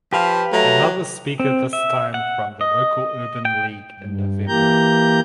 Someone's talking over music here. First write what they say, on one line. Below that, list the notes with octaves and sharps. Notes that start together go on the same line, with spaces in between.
Another speaker this time from the local Urban League in November.
F3 G4 B4 F5
F#3 A3 A#5
C4
E5
F#5
D#5
G5
G2
E3 A#3 G4 A#5 G6